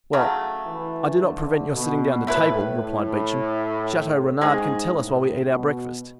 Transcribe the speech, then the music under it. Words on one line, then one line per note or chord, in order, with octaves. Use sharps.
"Well, I do not prevent your sitting down to table," replied Beauchamp, "Chateau-Renaud can tell us while we eat our breakfast."
C#3 F#3 A3
E3
D3
B2
A2 A3 E4 B4
A2
G#2 G#3 C#4 G#4
A2
B2